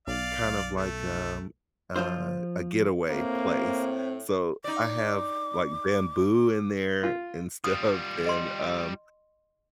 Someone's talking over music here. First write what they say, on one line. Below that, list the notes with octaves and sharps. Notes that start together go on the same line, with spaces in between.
kind of like, um a a getaway place. So, I have like bamboo in there and stuff and, um,
B1 D5 F5
A3
F3 F4 C5
A2 A#3 C4
D#4 D5 D6
F4
G3 F4 D#6
D#5 C6